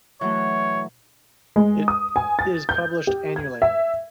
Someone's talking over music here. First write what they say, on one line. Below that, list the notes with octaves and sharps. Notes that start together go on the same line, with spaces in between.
It is published annually.
E3 F#3 A3 C#5
G#3
D#6
G#5
A6
G6
G4
G#6
E5